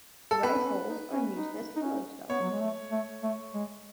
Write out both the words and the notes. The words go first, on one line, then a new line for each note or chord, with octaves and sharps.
Rice hulls are used as pillow stuffing.
A4
B3 B4
C#4
B3
C#4
D#4
C#4
D#4
D#4
C#4
B3 C#5
F#3
G#3
A3
A3
A3
G#3